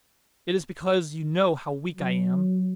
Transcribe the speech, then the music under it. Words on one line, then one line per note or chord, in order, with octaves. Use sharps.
It is because you know how weak I am!
F#3